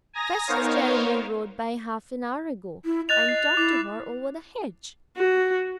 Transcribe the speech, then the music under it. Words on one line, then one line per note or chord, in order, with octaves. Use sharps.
'Festus Derriman rode by half-an-hour ago, and talked to her over the hedge.'
G#5 A#5 D#6 A#6
B3 D#4 A#4 C5 C#5 F5
E4
D#5 F#6 A6 F7
C7
E4 D6
F#4